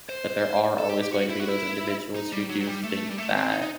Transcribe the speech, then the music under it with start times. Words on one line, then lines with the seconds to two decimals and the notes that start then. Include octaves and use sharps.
but there are always going to be those individuals who do think that
0.09 C5
0.79 A4
0.89 G4
1.02 G4
1.12 F#4
1.30 E4
1.39 F#4
1.49 E4
2.16 D#4
2.33 G3
2.49 F#3
2.60 F#3
2.67 G3
2.84 A3
3.09 G3
3.18 A3
3.36 C4
3.52 D#4
3.62 D#4